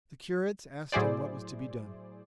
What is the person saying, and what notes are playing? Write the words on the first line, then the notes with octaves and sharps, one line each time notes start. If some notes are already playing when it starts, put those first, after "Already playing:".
The curates asked him what was to be done.
A2 F#3 E4 G#4 C5 D5